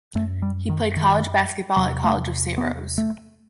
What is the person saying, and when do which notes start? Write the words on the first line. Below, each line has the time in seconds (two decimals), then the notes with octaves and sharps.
He played college basketball at College of Saint Rose.
0.15 F#2 A3
0.42 G3
0.69 D#3
0.97 D#3
1.77 E2 C3 F#3
2.04 A3
2.58 B3
2.98 A3